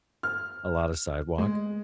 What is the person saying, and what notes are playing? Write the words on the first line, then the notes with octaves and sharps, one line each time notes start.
a lot of sidewalk.
F6
G#3